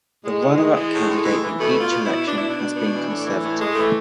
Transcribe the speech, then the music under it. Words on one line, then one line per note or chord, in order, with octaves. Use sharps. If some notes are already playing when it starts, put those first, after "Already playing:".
The runner-up candidate in each election has been Conservative.
A2 G#3
A2
E3
E3
A2
A2
E3
E3
B2 A3
B2 F4
B2
E4
B2
B2 D4
B2 E4
D4
B2
B2
E3
A2
E3
A2
A2 G#3
E3 A3